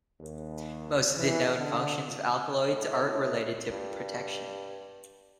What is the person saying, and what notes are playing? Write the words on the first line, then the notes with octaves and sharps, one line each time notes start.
Most of the known functions of alkaloids are related to protection.
D#2
E3
D3
A2
G2